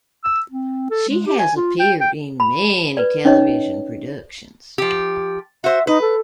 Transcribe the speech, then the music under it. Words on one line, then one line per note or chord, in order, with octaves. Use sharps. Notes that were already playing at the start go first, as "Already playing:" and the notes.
She has appeared in many television productions.
E6
C4
A4
G#3
G4
G#5
F4
G5
G5
B5
B4 D5
C#4 D#4 C#5 D#5
F3 G4
F#4 C5 E5
D#4 B4
A4